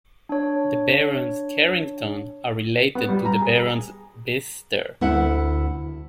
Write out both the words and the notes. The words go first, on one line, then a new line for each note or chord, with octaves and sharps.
The Barons Carrington are related to the Barons Bicester.
D4 C#5
B3
G3
A#5
G#4
D2 E4 E5 F#5